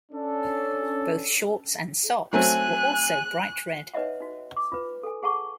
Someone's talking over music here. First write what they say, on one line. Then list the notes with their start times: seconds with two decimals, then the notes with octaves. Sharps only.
Both shorts and socks were also bright red.
0.12 C#4 D4 A4
2.33 F#3 A3 C4 G#5 F#6
3.94 D#4 B4 C#5 D#5 E5 F#5
4.20 D#4 F#4
4.56 D6
4.72 F4 B4
5.03 A4 G#5
5.23 G#4 F#5 A5 C#6 D6